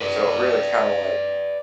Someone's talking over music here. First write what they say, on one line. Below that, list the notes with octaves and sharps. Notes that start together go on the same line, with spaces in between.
So it really kind of like,
B4 D5